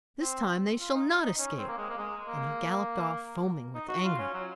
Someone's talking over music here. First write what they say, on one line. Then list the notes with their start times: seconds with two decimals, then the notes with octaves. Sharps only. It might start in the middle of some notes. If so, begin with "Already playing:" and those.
This time they shall not escape.' And he galloped off, foaming with anger.
0.21 C4
0.80 F4
0.94 D#4
1.23 D#4
1.39 C#4
1.58 C4
1.68 A#3
1.78 G#3
1.90 A#3
1.98 G#3
2.28 A#3
3.74 D#4
3.89 F#4
4.04 F4
4.19 C#4
4.34 F#3